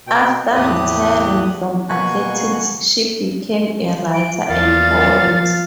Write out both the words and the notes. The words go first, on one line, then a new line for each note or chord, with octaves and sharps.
After retiring from athletics she became a writer and poet.
B2 G5
E2 A2 G4 D#6 F#6
B2 A#3 F#4 G#5 C#6 F#6
D7
E2 A#2 F5 A6
F3